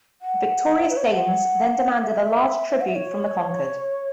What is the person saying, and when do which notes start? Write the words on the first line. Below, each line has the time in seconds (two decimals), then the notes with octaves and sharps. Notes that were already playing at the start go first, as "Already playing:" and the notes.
The victorious Danes then demanded a large tribute from the conquered.
0.22 F#5
0.89 B4
0.97 C#5
1.05 E5
1.13 F#5
2.04 E5
2.81 F#5
2.88 E5
2.96 C#5